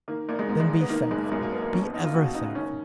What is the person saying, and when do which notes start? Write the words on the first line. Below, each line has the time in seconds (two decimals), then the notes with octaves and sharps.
Then be thankful--be ever thankful.
0.08 D#3 A#3
0.29 A#1 A#3
0.39 G#3
0.49 G#2
0.60 G#3
0.70 A#1
0.81 B3
0.90 D#3 A#3
1.11 F#1 G#3
1.24 A#3
1.32 F#2 G#3
1.42 A#3
1.52 F#1 B3
1.62 A#3
1.73 D#2 C#4
1.83 B3
1.93 D#2 D#4
2.04 F4
2.14 C#3 F#4
2.34 C#3 D#4
2.55 D#3 C#4